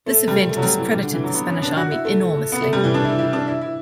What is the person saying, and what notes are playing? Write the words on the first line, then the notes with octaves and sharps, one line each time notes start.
This event discredited the Spanish army enormously.
A3
G3
A3
F#3
G3
E3
G3
D3
E3
F#3
B3
C#4
D4
F#4
E4
A3
B3
A3
G3
E3
D4
E4
E4
D4
E4
E4